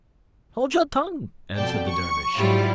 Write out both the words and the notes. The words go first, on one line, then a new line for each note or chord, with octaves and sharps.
"Hold your tongue," answered the Dervish.
F2 B2 D5 G5 A5
C#6
G#2 F#3 G3 E4 F4